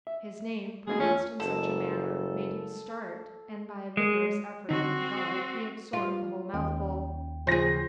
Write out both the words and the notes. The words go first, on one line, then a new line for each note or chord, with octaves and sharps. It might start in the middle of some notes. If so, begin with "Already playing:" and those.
His name, pronounced in such a manner, made him start, and by a vigorous effort of his gullet he absorbed the whole mouthful.
E5
B2 G#3 C4 D4 G#4
E2 C#4 F4
F#1 A4
G#3
D3 C4 D#4 F#4
G2 F4
D#2 C#4 G5
C#3 F3 G#4 C5 A#6